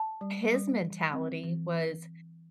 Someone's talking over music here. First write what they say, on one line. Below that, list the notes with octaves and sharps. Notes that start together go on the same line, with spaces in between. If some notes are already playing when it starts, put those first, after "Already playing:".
his mentality was,
Already playing: A5
G3
G3
E3
C4
E3